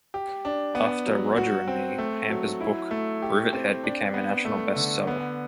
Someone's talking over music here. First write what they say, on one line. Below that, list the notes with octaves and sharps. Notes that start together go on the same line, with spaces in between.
After "Roger and Me", Hamper's book "Rivethead" became a national bestseller.
G4
D4
B3
F#3
F#4
C4
A3
F#3
E4
A3
G4
C4
D4
B3
A3
D3
B3